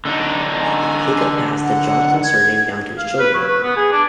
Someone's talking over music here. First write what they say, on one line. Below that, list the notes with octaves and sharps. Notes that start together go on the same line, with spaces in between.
Jacob passed the Johnson surname down to his children.
D3 D4 D#4
G#5
F#5
G#6
F5
B4
F#3
B4
B3
G#4
D4